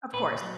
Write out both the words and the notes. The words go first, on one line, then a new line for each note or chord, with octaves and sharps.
Of course.
A#2 B4
F#3